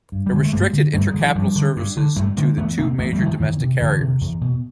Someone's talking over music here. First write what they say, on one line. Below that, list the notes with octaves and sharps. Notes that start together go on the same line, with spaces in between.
It restricted intercapital services to the two major domestic carriers.
G2
G3
D3 G#3
A3
G2 G#3 A#3
D3
G2 G3 A3
F#3 G#3
D3
E3 F#3
G2 F3 G3
D3
G2
D3
G2 G3 A3
D3 G#3 A#3
E2 A3 B3
C3 A#3 C4
E2 A3 B3
G3 A3
C3
D#3 F3
E2 D#3
C3
E2 D3
C3
E2
B2